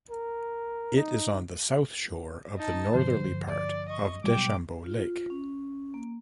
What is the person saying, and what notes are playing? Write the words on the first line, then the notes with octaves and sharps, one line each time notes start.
It is on the south shore of the northerly part of Deschambault Lake.
A#4
D#4
D#4 A5
G2 D3 F3 C5
D5
D#5 C#6
B2 F#3 G3 G5 D6
F4
C#4
A#3